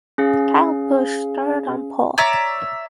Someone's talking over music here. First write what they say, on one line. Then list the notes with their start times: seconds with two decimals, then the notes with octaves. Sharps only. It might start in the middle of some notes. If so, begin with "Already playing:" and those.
Kyle Busch started on pole.
0.18 C#4 G#4 F5
2.18 C#5 D5 E5 A#5